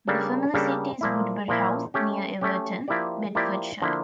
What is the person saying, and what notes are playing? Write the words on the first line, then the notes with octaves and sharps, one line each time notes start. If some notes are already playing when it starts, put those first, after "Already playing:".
The family seat is Woodbury House, near Everton, Bedfordshire.
C#3 G3 A#3 D4 A4
C#3 G3 A#3 D4 A4
A#2 F3 A#3 E4
A#2 F3 A#3 E4
A3 C#4 G4
A3 C#4 G4
F3 A#3 E4 G4 D5
F3 A#3 E4 G4 D5
D3 F3 A#3 E4